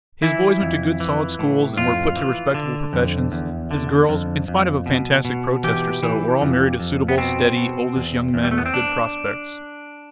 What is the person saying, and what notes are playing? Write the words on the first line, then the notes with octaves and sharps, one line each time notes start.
His boys went to good solid schools, and were put to respectable professions; his girls, in spite of a fantastic protest or so, were all married to suitable, steady, oldish young men with good prospects.
E3 E4
F2
E3
A2
F2 F4
E3
D3
F2
E2
D3
F2
F2
B2
B2
E3 G4
E3
F2
F2
B3
B2 C4
B2
E2
E2
G3
A3
B3
C4
D4